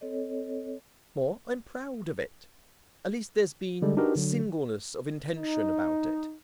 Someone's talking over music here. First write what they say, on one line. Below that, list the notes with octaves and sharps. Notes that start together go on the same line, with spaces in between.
More, I'm proud of it. At least, there's been singleness of intention about it.
C4 A4 C#5 D#5
D3 G3 G#3 A4
D4 D#4 F#4 G4 A#4 B4
D3 F#3
D#4